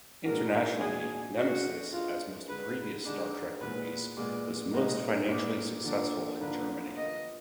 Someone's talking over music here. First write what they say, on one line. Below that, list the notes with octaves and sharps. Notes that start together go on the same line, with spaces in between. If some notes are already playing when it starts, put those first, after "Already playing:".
Internationally "Nemesis", as most previous "Star Trek" movies, was most financially successful in Germany.
A#2 G#3 D4 F#4 A#4
A#2 G#3 D4 F#4 G#4
B3 D4 F#4 G#4 D#5
B3 D4 F4 G#4 D#5
D3 G#3 D#4 G#4 B4
D3 G#3 D4 D#4 G#4
A#2 G#3 B3 B4
A#2 G#3 B3 D5
A#2 G#3 B3 D#4 D#5
A#2 G#3 B3 D#4 D5
D3 F3 A#3 D4 D5
D3 F3 A#3 D4 B4
B3 F4 A#4 D#5 F5